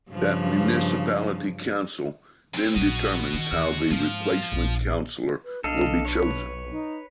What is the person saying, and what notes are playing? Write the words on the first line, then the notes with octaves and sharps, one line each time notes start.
That municipality council then determines how the replacement councillor will be chosen.
G2 C#3 F3
F#2 C4
A#1 F#3 F#4 D#5
D#3
D#2
G#2 F3
A#1
B4
B1 D4 A4 D#5 F5
B4 C#5
D#4